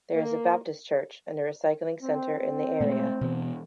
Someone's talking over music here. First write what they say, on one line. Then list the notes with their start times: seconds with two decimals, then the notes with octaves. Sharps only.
There is a Baptist church and a recycling center in the area.
0.14 A#3
2.02 C4
2.38 C4
2.81 A#2 G#3 A3
3.21 B2 E3 B3